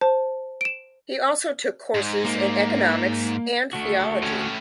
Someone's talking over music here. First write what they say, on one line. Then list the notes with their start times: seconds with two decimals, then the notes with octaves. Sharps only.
He also took courses in economics and theology.
0.01 C5 A5
0.61 D7 E7
1.95 G#2
2.25 A#3
3.73 A3 F#4
4.23 A2 C#4